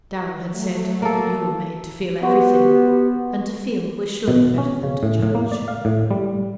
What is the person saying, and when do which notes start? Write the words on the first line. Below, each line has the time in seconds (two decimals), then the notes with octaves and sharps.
Darrow had said: "You were made to feel everything"; and to feel was surely better than to judge.
0.52 F#3 A3
1.02 A#3 A4
2.23 B3 F#4 G4 C5
4.28 B2
4.58 C#4
4.83 C#3
5.03 A2
5.23 A2
5.35 A#3
5.52 D5
5.68 F5
5.85 A2
6.11 G3